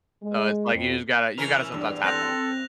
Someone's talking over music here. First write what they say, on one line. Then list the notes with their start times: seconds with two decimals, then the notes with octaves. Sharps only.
So, it's like you just gotta you gotta sometimes have that, you know?
0.23 G#3
0.73 F2
1.38 E3 C#4 A#4 F7
1.72 E2 G2
2.04 C4 A4 F#6 A#6 F7